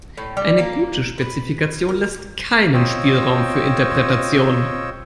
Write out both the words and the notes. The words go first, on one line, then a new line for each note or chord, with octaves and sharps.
Eine gute Spezifikation lässt keinen Spielraum für Interpretationen.
A2
G3
A#3
B4
A#4
C4 F4 C#5 D#5 G5 E6